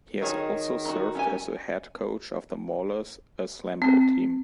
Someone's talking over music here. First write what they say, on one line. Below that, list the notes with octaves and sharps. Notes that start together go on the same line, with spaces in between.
He has also served as the head coach of the Maulers, a Slamball team.
D#3 F#4 G#4 C#5
D#4 F#4
C#4 G4 G#5
C4